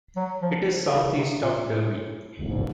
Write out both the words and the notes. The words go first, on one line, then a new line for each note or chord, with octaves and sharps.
It is south east of Derby.
F#3
F3
D3
C#3
C3
A#2
A2
G#2